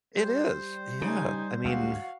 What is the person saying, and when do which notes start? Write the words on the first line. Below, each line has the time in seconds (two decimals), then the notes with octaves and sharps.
It is. Yeah. I mean
0.18 G3 C5
1.02 C#3 D#4 G#5
1.65 D2 G#3 F#4 F5